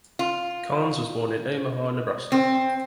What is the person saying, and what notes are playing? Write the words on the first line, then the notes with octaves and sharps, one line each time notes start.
Karnes was born in Omaha, Nebraska.
F4
C4